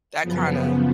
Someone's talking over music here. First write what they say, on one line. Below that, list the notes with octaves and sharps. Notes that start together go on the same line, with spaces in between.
that kinda
F#2 C#3 F3 B3